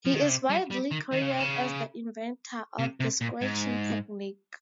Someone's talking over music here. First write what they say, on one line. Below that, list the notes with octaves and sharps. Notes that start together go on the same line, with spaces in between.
He is widely credited as the inventor of the scratching technique.
F3
D#3
C#3
C3
G3
G3
D#3
D#3
C#3
C3
C#3
C3
C3
A#2
G#2